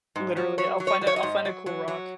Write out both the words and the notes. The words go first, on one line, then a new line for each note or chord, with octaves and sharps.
Literally, I'll find a I'll find a cool rock.
G#2
F#3
F#3 C#5
F#3
C#5
F#3
C#5
D#5
G#2
F#3
F#3
F#3